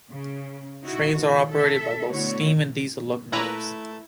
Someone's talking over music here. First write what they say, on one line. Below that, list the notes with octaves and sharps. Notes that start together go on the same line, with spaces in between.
Trains are operated by both steam and diesel locomotives.
C#3
D#4 E4 F#4
D#3 F4
A4 E5
D3 A3 B3 E4 F#4 C#5
A#2 A3 E4 B4 A#5